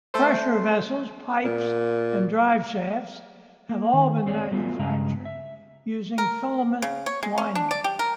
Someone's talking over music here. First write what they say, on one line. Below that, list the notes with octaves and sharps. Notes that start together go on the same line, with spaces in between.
Pressure vessels, pipes and drive shafts have all been manufactured using filament winding.
A3 A4 C5
A#2
A#3
D#3
C4 G#4 C#5 D5
F#3 A3 B3 D#4 F4
G2 C#3 G#3 A#5
E5
A#4
C#3
C#5
G#3
C#4
D4
D5
G4
A#4